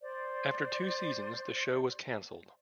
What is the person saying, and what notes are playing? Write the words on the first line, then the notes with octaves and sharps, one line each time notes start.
After two seasons the show was cancelled.
C5 D5